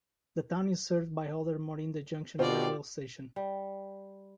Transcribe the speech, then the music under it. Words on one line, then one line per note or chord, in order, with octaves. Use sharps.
The town is served by older Morinda Junction railway station.
B2 C4 F4 G4 D5
G3